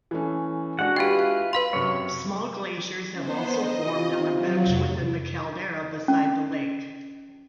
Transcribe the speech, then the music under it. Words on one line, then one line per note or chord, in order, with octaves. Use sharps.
Small glaciers have also formed on a bench within the caldera beside the lake.
E3 A3 C#4
G#3 D4 F#4 F#5
E4 F4 G4 B4 G5
B4 F5 B5 C6
F#2 C3 C#5
B3 C#4 C5
A3 D4 A#4 D#5
C3 F4
F#3
F1
C#4